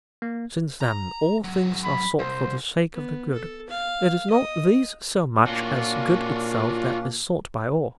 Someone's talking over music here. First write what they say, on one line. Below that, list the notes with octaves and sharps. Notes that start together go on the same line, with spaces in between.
Since, then, all things are sought for the sake of the good, it is not these so much as good itself that is sought by all.
A#3
A#5
G#2 F#3
B5
C2 C5
B3
A4
F5
D#5
A#2 A#3 C#4 D4 F4 F#4